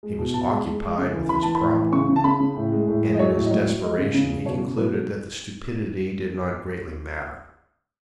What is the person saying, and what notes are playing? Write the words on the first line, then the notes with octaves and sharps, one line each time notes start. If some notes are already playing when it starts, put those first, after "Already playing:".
He was occupied with his problem, and in his desperation he concluded that the stupidity did not greatly matter.
G#3
B2
B2 A5
G#3
G#3
G#3
C#3
E3
E3 B5
E3 A5
B5
A2
E3
C#3 C#6
C#3
A5
C#3 B5
C#3
A2
G#3
A2
G#3
D#5
F#3 C#5
A2
D#5
F#3 C#5
F#3
G#3 D#5
C#3
C#3
C#3
B2 C#5
B2
F#3 B4
F#3 A4